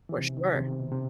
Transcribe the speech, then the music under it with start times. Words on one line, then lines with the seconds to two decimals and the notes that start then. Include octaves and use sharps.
For sure.
0.09 E3
0.18 C3
0.37 D#3
0.54 C3
0.79 B2
0.92 C3